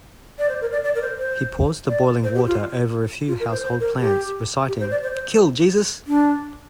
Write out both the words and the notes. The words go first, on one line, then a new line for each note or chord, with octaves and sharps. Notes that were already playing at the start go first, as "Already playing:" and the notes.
He pours the boiling water over a few household plants, reciting "Kill Jesus".
D5
C5
A#4
D5
D5
A#4
C5
C5
D5
C5
G4
F4
F4
A#4
C5
C5
A#4
G4
G4
C5
D5
C5
C5
D4